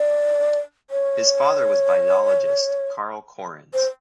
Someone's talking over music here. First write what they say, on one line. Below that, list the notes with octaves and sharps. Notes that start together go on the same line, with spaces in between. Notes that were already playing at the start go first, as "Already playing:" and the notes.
His father was biologist Carl Correns.
Already playing: D5
C#5
C5